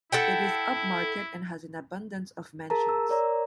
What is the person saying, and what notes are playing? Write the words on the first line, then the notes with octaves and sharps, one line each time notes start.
It is upmarket and has an abundance of mansions.
E4 A4 F#5 G5
G#4 A#4 A5 A#5
E6
A#4 C#5 D5 A#5